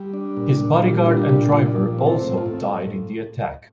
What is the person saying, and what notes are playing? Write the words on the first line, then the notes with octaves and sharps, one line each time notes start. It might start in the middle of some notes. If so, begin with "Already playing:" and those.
His bodyguard and driver also died in the attack.
Already playing: G3
D4
A#2
A#2
G3 F4
D4 F4
A#2 G4
A#2 F4
F3
C4
A4
A2
F4
A2